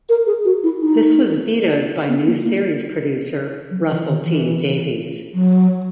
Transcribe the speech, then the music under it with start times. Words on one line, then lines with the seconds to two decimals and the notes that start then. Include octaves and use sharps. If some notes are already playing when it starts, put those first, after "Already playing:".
This was vetoed by new series producer Russell T Davies.
0.09 A#4
0.26 G#4
0.45 F#4
0.63 E4
0.82 D#4
2.08 B3
2.26 A#3
2.45 A#3
3.71 F#3
3.90 E3
4.07 D#3
4.25 E3
5.34 F#3